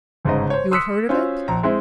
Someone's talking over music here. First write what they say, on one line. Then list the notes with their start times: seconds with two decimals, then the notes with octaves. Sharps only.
You have heard of it?
0.25 G1 G#2 C#3 C5 D#5
0.50 C5 C#5
0.71 C6 D#6 E6 F#6 B6 C#7
1.09 C#4 F4 F#4 C5 C#5
1.48 A#1 A#5
1.63 G#3 C4 E4 C5 E5